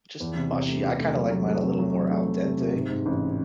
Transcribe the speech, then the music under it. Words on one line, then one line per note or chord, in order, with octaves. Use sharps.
just mushy. I kinda like mine a little more al dente,
E2
C3
C3
A3
C3
A3
F#3
F#3
A3
C3
F#3
C3
A3
F#3
C3
C3
G#2
G#2
A1